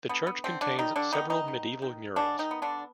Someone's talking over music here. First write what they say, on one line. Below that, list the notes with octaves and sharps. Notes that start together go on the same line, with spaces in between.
The church contains several medieval murals.
D3 B3
B3
D3 C4
D3 D4
D#3 G3 D#4
D3 D4
D#3 B3 D#4
D#3 D#4
D#3
D#3
D3 G#3 D4
D#3 D#4
B3
D3 D4